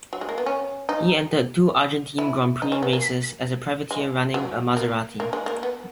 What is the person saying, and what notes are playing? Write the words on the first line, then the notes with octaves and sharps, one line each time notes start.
He entered two Argentine Grand Prix races as a privateer running a Maserati.
F#3
G#3
A#3
B3
C#4
D#4
E4
D#4
C#4
B3
A#3
G#3
F#3
A#3
A#3
G#3
A#3
B3